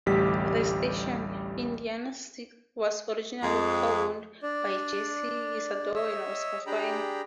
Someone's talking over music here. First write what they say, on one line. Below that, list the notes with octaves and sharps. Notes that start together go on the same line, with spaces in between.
The station, Indiana's sixth, was originally co-owned by Jesse, Isadore, and Oscar Fine.
A1 D2 G3 G4 B6
F2 G#3
D4 D5
C#5 D#5 E5 E6
D4 G4 G#4 G5 A#5 B5